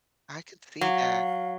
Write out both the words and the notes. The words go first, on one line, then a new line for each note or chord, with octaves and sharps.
I could see that.
F#3 F5